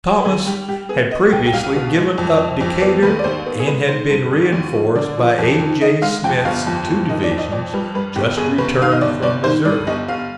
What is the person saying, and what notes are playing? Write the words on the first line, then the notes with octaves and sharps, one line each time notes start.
Thomas had previously given up Decatur and had been reinforced by A. J. Smith's two divisions just returned from Missouri.
B4
D#2 G#4
G3 G4
G3 G4
B3 G#4
B3 D#5
C2 G5
G5
C2 F5
B2
G#3
F2
F2
F2
B3 D5
D#2 B4
D5
D#2 C5
B3
G#4
G#3 B4
D#3 C5
G2
G#1
D#2
F3
D3 D5
F3
F2
D#3
D#3 D#5
G#3 F5
F2 G5
G1 F5
F2
G1
D#3 D#5
D5
F2
D#5
F2 D5
G3 B4
G2 B4
G1 G4
G1 G#4
G1 B4
D#3 F5
D#5
G1 D5
G1 D5
D#3 C5
G2 D5
G1 D#5
G1 F5